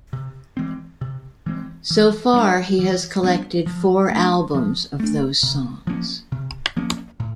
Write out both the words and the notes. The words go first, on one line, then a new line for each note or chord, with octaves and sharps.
So far, he has collected four albums of those songs.
C3
E3 G#3 C4
C3
E3 G#3 C4
E3
G3 B3 D4
E3
G3 B3 D4
F3
A3 D4
F3
A3 D4
C3
F3 A#3 C#4
C3
F3 A#3 C#4
A2